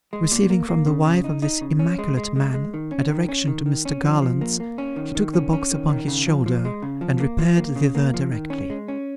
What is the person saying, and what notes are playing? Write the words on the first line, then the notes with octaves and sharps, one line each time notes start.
Receiving from the wife of this immaculate man, a direction to Mr Garland's, he took the box upon his shoulder and repaired thither directly.
G#3
A#2
A#3
A#3
C#3
C#3
D#4
D#4
C#3
C#4
G#3
G#3
G#3
G#3
D#3
C#4
D#3
C#4
D#3
D#3
C#4
F3
F3
A#3
A#3
C#4
D#3
D#3
C#4
C#4
D#3
D#3
C#3
F3
F3
G#3
C#3
F3
A#3
F3
A#3
C#3
A#3
F3
D#3
C#4
G#3
C#4